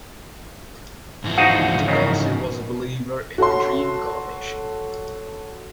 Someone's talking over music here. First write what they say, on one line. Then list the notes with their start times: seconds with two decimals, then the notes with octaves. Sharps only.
Ducasse was a believer in reincarnation.
1.24 G#2 E3 F3
1.37 D#4 F#4 G#4 C5 F5 F#5
1.60 D2
1.88 C#3 C#4 D#4 A#4
3.38 F#4 A4 C#5 C6